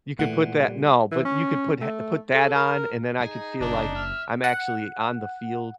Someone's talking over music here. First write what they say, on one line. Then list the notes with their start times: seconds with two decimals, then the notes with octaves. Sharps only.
you could put that No, but you could put ha put that on, and then I could feel like I'm actually on the field.
0.19 A#2 E3 A3 F#5
0.58 G3
1.12 E3
1.25 C#4
1.81 A3
2.34 A4
2.55 A#4
3.21 D#4 G#4
3.61 F#1 C#3 D4
3.96 E5 F6
4.44 F#5